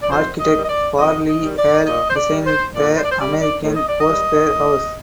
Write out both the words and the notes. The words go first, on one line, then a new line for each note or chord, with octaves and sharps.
Architect Perley Hale designed the American Foursquare house.
D5
F2 C5
D#5
D#3 G3
D#5
D5
F2 D#5
D#5
D#3 G3
D5
A#2 D#5
C5
D5
G3
C5
A#2 D5
C5
D5
C5
G3 D5
D5
A2
D#5
D5
D#5
G3
A2